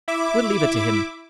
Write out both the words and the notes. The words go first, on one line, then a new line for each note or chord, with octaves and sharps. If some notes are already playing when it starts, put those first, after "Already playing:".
We'll leave it to him.
E4 E5 D6